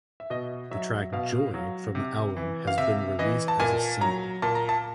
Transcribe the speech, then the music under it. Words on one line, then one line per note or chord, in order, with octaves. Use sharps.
The track "Joy" from the album has been released as a single.
E5
B2 D#5
F#3 E5
B2 F5
F#3
C3
E3
F5
C3 E5
E3 D#5
A5
A#2 G#5
F#3 A#5
A#2 A5
A#5
A5